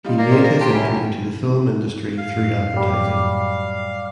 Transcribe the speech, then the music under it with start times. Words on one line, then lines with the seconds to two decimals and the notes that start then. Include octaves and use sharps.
He made his entry into the film industry through advertising.
0.04 G3 D#4 F4
0.18 A#3 A#4 D5
0.31 G4 C5 D#5
0.44 A#3 C4
0.61 D4 G4 A5 C6 D7
0.73 C2 F#3 C#4 E4 B6
2.17 F#2 A2 F5
2.76 G3 G4